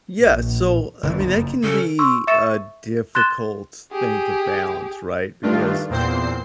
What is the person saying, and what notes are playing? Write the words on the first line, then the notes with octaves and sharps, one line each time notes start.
Yeah, so, I mean, that can be a difficult thing to balance, right? Because
A#1
F#1 D3 E3
F#1 F2
C#3 A4
C6 C#6 E6
E5 C#6 E6 A6 C#7 E7
C6 F#6 G#6 A6 E7 G7
G4 G#4
G2 D#3 A3 D4 F4
E2 A#2 C4 C5 C7